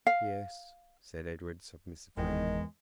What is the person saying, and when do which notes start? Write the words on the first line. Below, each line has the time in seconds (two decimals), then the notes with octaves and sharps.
"Yes," said Edred submissively.
0.07 F5
2.17 F#1 E2 G#2 D#3 G#3